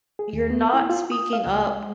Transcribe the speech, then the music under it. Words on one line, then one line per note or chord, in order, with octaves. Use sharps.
you're not speaking up
G#4
D#2
B3
E4
F4
D#6
F5
C#2
G#3